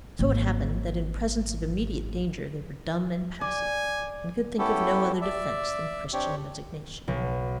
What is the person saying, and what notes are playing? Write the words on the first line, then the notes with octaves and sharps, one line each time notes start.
So it happened that in presence of immediate danger they were dumb and passive, and could think of no other defence than Christian resignation.
G#1 A#3
D5 G#5
B3 C#4 E4 G4 A4
D5 E5
C4 D4 G4 C#5
B1